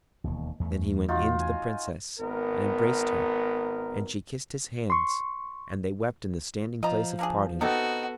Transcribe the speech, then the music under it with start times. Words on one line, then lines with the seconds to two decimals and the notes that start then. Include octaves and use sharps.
Then he went in to the Princess and embraced her; and she kissed his hands and they wept in the standing-place of parting.
0.24 E1 D#2
0.60 E2 A3
1.08 D#4 F4 F#4
1.40 G#5
2.19 G#1 B3 A#4
4.90 C6 C#6
6.83 F3 D#5 A#5
7.19 A#3 D4 G#4
7.61 C3 B3 D#4 F#4 A4